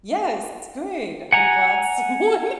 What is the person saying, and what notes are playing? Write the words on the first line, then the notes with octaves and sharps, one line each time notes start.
Yes, good, I'm glad someone
F#5 G#5 A#5